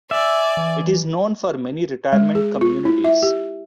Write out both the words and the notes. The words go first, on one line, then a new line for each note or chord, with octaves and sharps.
It is known for many retirement communities.
D5 E5 G#5
E3
G#3
G#4
F4
E4
E5
G4